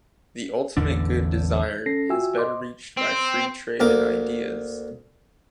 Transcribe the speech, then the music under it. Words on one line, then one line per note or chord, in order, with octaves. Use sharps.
The ultimate good desired is better reached by free trade in ideas.
A1 E2 D3 D4
C#4 A4 A#6 C7
F4 F#4 E5 G5 G#5 E6
C5 D#5 C6 D6
C4
D2 A#3 D6